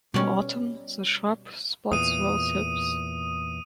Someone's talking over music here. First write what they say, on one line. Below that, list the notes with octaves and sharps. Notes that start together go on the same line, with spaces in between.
In autumn, the shrub sports rose hips.
B2 G3 C#4 D5
E2 A#2 D#6 D#7